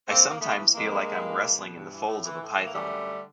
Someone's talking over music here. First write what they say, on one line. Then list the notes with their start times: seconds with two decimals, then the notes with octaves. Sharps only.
I sometimes feel like I'm wrestling in the folds of a python.
0.08 G2 A#3 C4
0.25 D#3
0.30 A#3
0.41 A2 A3 B3
0.58 E3
0.74 F2 G#3 A#3
0.91 D3
1.08 G2
1.24 E3
1.41 E2
1.58 B2
1.75 G2
1.91 E3
2.07 A2
2.24 E3
2.41 A2
2.58 E3
2.66 A#3
2.74 F#2 G3 A3
2.91 D3